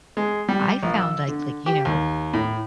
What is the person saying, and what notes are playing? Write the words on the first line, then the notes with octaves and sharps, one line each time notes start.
I found, like like, you know,
G#3
G3
A#1
E6
D3
G4
D#2
A2